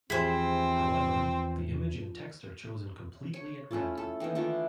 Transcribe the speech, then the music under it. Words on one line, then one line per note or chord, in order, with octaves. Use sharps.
However, the image and text are chosen completely at random.
E2 F3 C4 E4 G4 G#4 C5
C#5
A3 C#4 E4 F4
A4
D#3 E3 A#3 B3
D3 E3 A3 F4